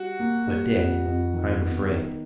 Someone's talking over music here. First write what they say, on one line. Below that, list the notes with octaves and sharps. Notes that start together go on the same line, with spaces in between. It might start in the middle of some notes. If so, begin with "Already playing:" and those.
But, Dick, I'm afraid.
Already playing: G3 F#4
A#3
G3
F2
F2
D#3
B3
D#3